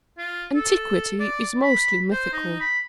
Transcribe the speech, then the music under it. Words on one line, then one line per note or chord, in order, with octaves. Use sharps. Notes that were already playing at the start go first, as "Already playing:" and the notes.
Antiquity is mostly mythical.
F4
A4
D5
B5
C5
D#4
B5